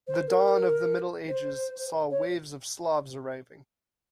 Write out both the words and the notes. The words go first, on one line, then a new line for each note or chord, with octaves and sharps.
The dawn of the Middle Ages saw waves of Slavs arriving.
C5
A#4
C5
C#5